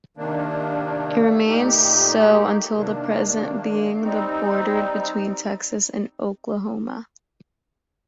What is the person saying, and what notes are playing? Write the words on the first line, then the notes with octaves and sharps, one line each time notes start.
It remains so until the present, being the border between Texas and Oklahoma.
C3 D#3 A#3 D4
A#2 A3 D#4 G4
C3 D#3 A#3 D4
G3 C4 D#4